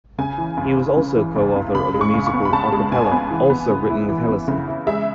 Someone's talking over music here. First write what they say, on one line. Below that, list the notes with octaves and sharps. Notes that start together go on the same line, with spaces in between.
He was also co-author of the musical "A Cappella," also written with Hellesen.
C#3 G#5
E3
C#2
C#2
C#3
E3
C#2
C#2
C#3 B5
G#3
C#6
C#2
C#6
B3
B5
C#3 A5
G#3
C#2 G#5
B3
E3
B3
C#3
E4
E3
B3
C#3
E4
G#3 E5